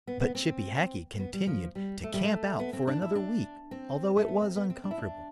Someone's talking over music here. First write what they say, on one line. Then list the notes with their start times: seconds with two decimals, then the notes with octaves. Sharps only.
But Chippy Hackee continued to camp out for another week, although it was uncomfortable.
0.07 B3
0.21 B3
0.35 C4
1.19 B3
1.33 G3
1.47 F3
1.75 G3
2.03 A3
2.14 G3
2.24 A3
2.59 B3
2.73 C4
2.87 D4
3.02 E4
3.15 D4
3.71 C4
4.17 A3
4.28 B3
4.42 C4
4.56 B3
4.70 C4
4.84 D4
4.91 E4
4.98 D4